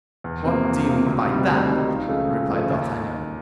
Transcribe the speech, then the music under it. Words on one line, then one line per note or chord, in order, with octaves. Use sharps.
"What do you mean by that?" replied D'Artagnan.
E2
C3 F3 A#3
E2
C3 F3 A#3
D2
C3 D#3 G3
D2
C3 D#3 G3
C#2
C#3 F3 A3
C#2
C#3 F3 A3
D#2